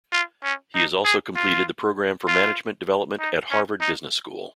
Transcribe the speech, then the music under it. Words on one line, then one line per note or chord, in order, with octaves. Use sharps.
He has also completed the Program for Management Development at Harvard Business School.
F4
C#4
D#4
G#4
F4
F4
D#4
C#4
D#4